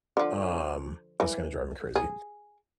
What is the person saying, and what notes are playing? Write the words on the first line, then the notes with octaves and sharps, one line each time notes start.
Um, that's gonna drive me crazy.
D3 F3
E3
G#4